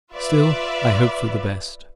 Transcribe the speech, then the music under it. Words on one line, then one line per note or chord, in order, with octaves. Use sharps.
Still I hope for the best.
F4 B4 D5 E5